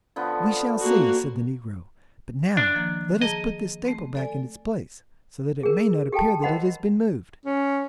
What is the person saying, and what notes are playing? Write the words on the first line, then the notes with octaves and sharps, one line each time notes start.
"We shall see," said the negro; "but now let us put this staple back in its place, so that it may not appear that it has been moved."
D3 F3 B3
A#3 F#4
D4
D#3 F3 A#3
G#4 D#5 A5 A#5
A3 C4
A4 D5 G#5
G#4 A#4
G4 A4 G5 A5
A#4 C5 D#5 F#5 B5 C6
C#4